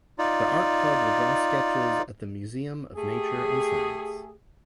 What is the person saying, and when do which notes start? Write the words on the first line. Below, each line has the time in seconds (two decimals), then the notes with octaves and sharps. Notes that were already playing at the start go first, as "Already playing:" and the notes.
The art club will draw sketches at the Museum of Nature and Science.
0.18 D#4 F4 D5
2.97 A3 G4 G#4